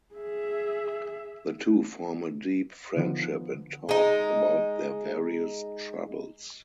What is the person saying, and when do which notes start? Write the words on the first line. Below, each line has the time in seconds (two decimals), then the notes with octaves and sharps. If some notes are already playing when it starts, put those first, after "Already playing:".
The two form a deep friendship and talk about their various troubles.
0.14 G#4 E5
2.97 D3 D#3 F3 B3
3.89 G#3 D#4